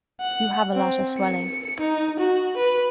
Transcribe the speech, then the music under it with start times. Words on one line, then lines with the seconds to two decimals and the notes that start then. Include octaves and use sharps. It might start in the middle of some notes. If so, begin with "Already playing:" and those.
You have a lot of swelling.
0.21 F#5
0.74 C4
1.19 C#7
1.80 D#4
2.20 F#4
2.57 B4